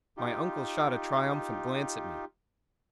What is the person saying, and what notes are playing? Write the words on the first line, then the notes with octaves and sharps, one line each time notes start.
My uncle shot a triumphant glance at me.
D#4 F4 G4